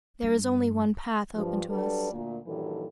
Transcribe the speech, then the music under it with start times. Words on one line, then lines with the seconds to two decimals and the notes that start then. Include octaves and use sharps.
There is only one path open to us.
0.22 G2
1.35 G2 F3
1.70 F#3 G3 D4 A4 B4 D5
2.12 D2 A#2
2.47 G2 A#2 D#3 E3 F#3 A4